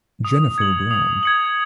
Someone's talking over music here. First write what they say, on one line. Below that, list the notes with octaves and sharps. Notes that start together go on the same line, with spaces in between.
Jennifer Brown.
D#6
G#6 C#7 F#7
D#6
G#6 C#7 F#7